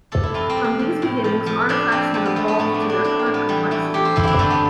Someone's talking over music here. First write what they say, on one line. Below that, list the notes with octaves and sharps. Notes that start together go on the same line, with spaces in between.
From these beginnings, artifacts have evolved to their current complexity.
C3 A4
E4
F2 F4
C4
C3
C4
F3
A2
F3
F3
F3 D4
F2 C4
F3 C4
B3
F2 A3
B3
A2 A3
D4
A2
D4
A2 D4
C4
A2
B3
E3 G3
E3 A3
E3 G4
C5
E3 E4
C4 D4
D3 A3
B3